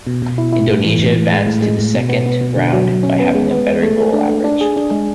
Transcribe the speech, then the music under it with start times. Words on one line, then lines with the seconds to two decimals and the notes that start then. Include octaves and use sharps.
Indonesia advanced to the Second Round by having a better goal average.
0.07 B2
0.22 B2
0.38 E4
0.53 E4
0.68 A2
0.85 E3
1.00 A2
1.15 A2
1.31 G#3
1.47 A2
1.62 G#3
1.79 A2
1.94 B2
2.09 B3
2.26 B3
2.41 B2
2.56 D3
2.73 F#3
2.89 F#3
3.03 C#4
3.20 B3
3.35 G#3
3.51 B3
3.67 G#3
3.83 A3
3.98 A3
4.13 D4
4.29 A3
4.44 D4
4.61 G#4
4.76 D4
4.91 G#3